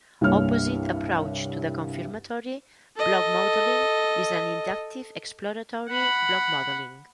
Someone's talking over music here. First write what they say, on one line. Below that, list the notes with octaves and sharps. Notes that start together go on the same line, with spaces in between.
Opposite approach to the confirmatory blockmodeling is an inductive exploratory blockmodeling.
C2 G2 A#3 C#5 F6
A4 D#5
F#5 B5